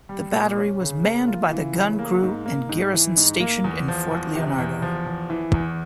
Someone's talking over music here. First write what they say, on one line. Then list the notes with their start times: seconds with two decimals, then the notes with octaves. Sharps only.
The battery was manned by the gun crew and garrison stationed in Fort Leonardo.
0.09 G3
0.33 A#2
0.57 C#4
0.81 C#3
1.03 A#3
1.27 F4
1.52 E3
1.75 C#3
1.99 A#3
2.23 G#2
2.46 A#3
2.69 G#2
2.93 E3
3.17 G#2
3.40 A#3
3.64 E2
3.88 F3
4.11 E2
4.35 C3
4.58 E2
4.82 F3
5.06 E2
5.30 E3
5.54 E2